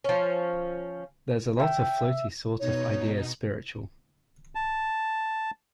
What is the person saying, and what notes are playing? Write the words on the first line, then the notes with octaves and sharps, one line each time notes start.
There's a lot of floaty sort of ideas-spiritual.
F3 C#4
E5 G5
B2 D#4 C#5
A5